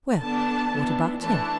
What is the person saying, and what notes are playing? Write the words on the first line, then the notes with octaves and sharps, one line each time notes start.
"Well, what about him?"
D3 B3 D4 A5
E3 B3 D4
E3 A3 D4 A5